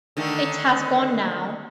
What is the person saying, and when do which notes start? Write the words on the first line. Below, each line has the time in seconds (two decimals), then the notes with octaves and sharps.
It has gone now.
0.17 D3 D#3 A3